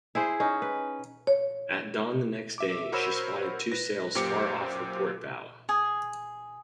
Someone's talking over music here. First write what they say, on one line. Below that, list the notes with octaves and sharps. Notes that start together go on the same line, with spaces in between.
At dawn the next day, she spotted two sails far off her port bow.
E4 G#4 C5
C#4 D#4
B4
C#5
E5 D6
F#4 A#4 C5 C#5 B5 E6
B4 A#6
F#2 A#2 G4 C5 D6 C#7
G#4